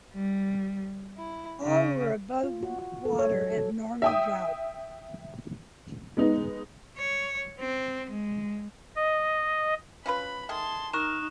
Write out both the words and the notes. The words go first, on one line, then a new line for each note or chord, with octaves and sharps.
All were above water at normal draught.
G3
E4
C#3
F4
F#4
F#4
A4
C#5
F#3
A4
E5 G5 D#6
G#3 B3 D#4
C#5
C4
G#3
D#5
C#4 F4 B4 B5
D#3 A3 G#4 A5 C6
D#4 A#4 C#6 F#6 E7